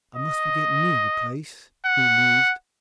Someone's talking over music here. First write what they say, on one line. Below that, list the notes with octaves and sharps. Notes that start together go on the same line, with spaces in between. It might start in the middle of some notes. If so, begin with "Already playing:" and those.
"I must be getting near the place," he mused.
D#5
F#5